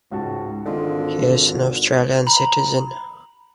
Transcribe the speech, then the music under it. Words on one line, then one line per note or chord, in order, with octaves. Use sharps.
He is an Australian citizen.
C#2 G#2 F#4 A5
G#1 D3 G#3 F4
A#5 B5